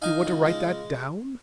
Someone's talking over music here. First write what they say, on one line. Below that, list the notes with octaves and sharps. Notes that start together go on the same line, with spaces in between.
You want to write that down?
D#4 F5 G#5
C#2
G#3